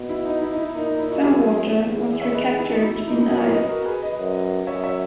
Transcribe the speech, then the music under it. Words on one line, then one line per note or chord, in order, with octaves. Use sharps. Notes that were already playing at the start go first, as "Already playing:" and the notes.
Some water was recaptured in ice.
Already playing: B2
E4
D#4
E4
D#4
E4
A#2 D#4
D#4
E4
D#4 F#4
F#2 E4 G#4
E2
C#5 E5
B4 D#5
G#4 B4
E4 G#4
D#4 F#4
E4
E4
D#4
F#2 E4
D#5
A#4 C#5
B4 D#5
F#4 A#4
G#4 B4
B4 D#5
F#2
F#2 C#5 E5
C#5 E5